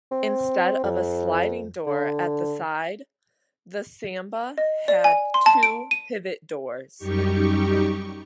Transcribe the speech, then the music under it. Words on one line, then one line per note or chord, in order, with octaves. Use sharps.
Instead of a sliding door at the side the Samba had two pivot doors.
C4
F2
D3
D#5
D5
G#5
C6
A5
D7
D#7
F#2 G3 D#4 G4 C#6